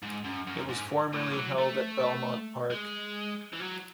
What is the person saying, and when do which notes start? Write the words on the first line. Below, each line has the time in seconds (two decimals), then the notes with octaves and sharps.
It was formerly held at Belmont Park.
0.03 G#2
0.25 F#2
0.47 F#2
0.69 G#2
1.13 A2
1.32 E3
1.36 F#3
1.59 A3
2.70 G#3
3.53 E3
3.60 F#3